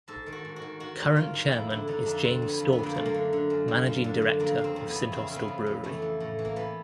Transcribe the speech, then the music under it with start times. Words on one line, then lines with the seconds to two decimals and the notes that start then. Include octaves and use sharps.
Current chairman is James Staughton, Managing Director of Saint Austell Brewery.
0.08 G#2 A4
0.26 D#3
0.32 F#4
0.45 G#2
0.56 F#4
0.62 D#3
0.80 D#3 F#4
0.99 G#2
1.16 D#3 F4
1.34 G#2
1.52 F2 E4
1.70 D3 E4
1.87 D3 D#4
2.06 F2 D4
2.24 D3 C4
2.42 F2
2.48 B3
2.60 F2
2.73 B3
2.78 D3 A#3
2.94 F#2 A3
3.05 A#3
3.14 D3
3.33 D3
3.50 F#2
3.68 F#2
3.86 F#2
4.04 D3
4.22 D3
4.40 F2 A#3
4.58 C#3
4.64 C4
4.76 F2
4.88 B3
4.94 E3
5.12 C#3 C4
5.30 C#3
5.36 B3
5.48 F2
5.66 F2
5.84 E3 A3
6.02 E3
6.20 A2
6.39 E3
6.45 A#3
6.56 E3 B3